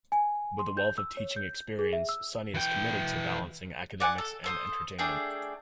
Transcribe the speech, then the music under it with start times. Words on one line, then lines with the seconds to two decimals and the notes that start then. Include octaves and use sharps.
With a wealth of teaching experience, Sonny is committed to balancing academics and entertainment.
0.12 G#5
0.59 C6
0.77 G6
0.98 E6
1.17 C#5
1.36 G6
1.79 G#4
1.93 E5
2.09 E6
2.54 E3 G5
4.00 D5 F#5 G#5
4.18 A4
4.44 A4 C5 D#6
4.99 A3 D4 G#4 G5